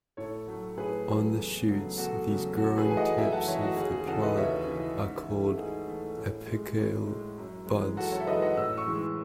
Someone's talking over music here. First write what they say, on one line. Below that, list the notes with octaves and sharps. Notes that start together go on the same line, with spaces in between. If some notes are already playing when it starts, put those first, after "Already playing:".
On the shoots, these growing tips of the plant are called "apical" buds.
A2 A4 C#5
F#3 A3
A2 G#4 B4
F#3 A3
E2
C#3 F#3 A3
E2 F#4 A4
C#3 F#3 A3
F#2 F#4 A4
G#4 B4
E3 A3 G#5
D#5 F#5
F#2 E5 G#5
F#5 A5
E3 A3 C#5 E5
F#4
D#2 G#4
G#4
C#3 E3 F#4 A4
B4 D#5
D#2 C#5 E5
C#3 E3
G#2
E3 A3
G#2 G#4
E3 A3
A2
G#3
A2
G#3
F#2
E3 G#3
F#2 F#4 A4
A4 C#5
E5
E3 G#3 B4 D#5
D#5 F#5
A2 E6
C#6 E6
E3 G#3